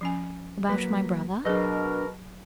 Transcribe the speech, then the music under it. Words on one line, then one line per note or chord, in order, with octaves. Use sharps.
"About my brother?"
F3 C#4 G#5
F#3 A#3 B4
B2 F#3 D4 G#4 A#4 D#5